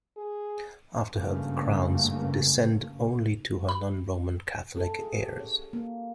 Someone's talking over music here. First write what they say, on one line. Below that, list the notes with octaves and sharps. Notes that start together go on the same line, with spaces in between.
After her the crowns would descend only to her non-Roman Catholic heirs.
G#4
F#1 G2 C#3 A3 A#3
B5
A4
G#4
G4
C#5
A#3